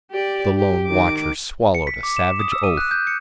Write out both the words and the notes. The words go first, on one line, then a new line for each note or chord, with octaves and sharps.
The lone watcher swallowed a savage oath.
G4 D5
G4
D#3 D6
C#7
B6
D6
E7
D#6
E6
D#7
F#6
G6
C#7